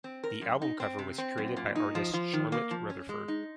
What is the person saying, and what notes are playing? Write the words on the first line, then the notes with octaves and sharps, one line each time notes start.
The album cover was created by artist Charlotte Rutherford.
C4
A#4
F#2
D#4
C4
C3
C4
F#2
A#2
D#4
F3
F3
D#3
A#3
F3
C#4
G#3
D#4